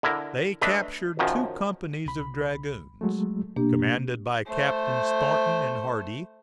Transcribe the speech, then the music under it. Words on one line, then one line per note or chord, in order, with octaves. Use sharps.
They captured two companies of dragoons, commanded by Captains Thornton and Hardee.
D3 E4 A#4
A3 D4 B4 D#5 E5
F#2 D#3 F3 F#3
C2 B5
F#3 G#3 A3
B2 A#3 D4 G4
A3 C5